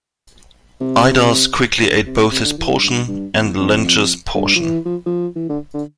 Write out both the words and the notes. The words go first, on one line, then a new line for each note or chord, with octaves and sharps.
Idas quickly ate both his portion and Lynceus' portion.
C3
D3
C3
C3
D3
E3
G2
G2
G2
E2
F2
G2
F3
E3
F3
F3
E3
D3
D3